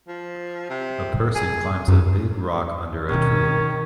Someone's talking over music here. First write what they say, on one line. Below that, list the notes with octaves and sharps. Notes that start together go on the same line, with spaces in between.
A person climbs a big rock under a tree.
F3
C3
G#4
C#2 F#2
B2 D#3 C4 C#4